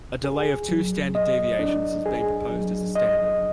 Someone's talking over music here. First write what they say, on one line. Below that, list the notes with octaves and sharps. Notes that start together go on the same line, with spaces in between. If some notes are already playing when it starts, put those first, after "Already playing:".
A delay of two standard deviations has been proposed as a standard.
G#4
F#3
D#5
D4
G#4
F#3
D#5